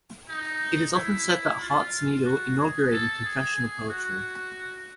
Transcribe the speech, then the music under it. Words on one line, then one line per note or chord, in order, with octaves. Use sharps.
It is often said that "Heart's Needle" inaugurated confessional poetry.
D#4
E4
F4
F#4
G#4
A4
G#4
G#4
F#4